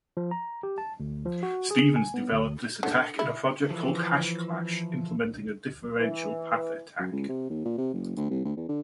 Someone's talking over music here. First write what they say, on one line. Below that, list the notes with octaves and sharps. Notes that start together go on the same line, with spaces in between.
Stevens developed this attack in a project called HashClash, implementing a differential path attack.
F3
A#5
G4
A5
D2
F3
F#4
G#4
G#5
B3
D2
D3
E4
E3 F3
E3
F#2
C#2
C3
D#2
A#2
C3
F#1
D2
C2
D2
E2
D3